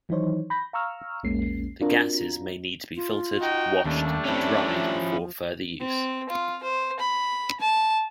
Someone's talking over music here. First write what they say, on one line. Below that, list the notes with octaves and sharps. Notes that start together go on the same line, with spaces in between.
The gases may need to be filtered, washed and dried before further use.
D#3 E3 F#3 D#4 C5 C#5
B5 G6 A#6
F5 A#5 C#6 E6 F6
A#1 E2 G#3 A#3 C#4 C7
C4 D4 F4 F#4 A#4 A#5
F4
D#4 F#4 G5
D#2 G3 A3 C#4 D4
C4 C#4 E4
F3
C4
F4
C5
B5
A5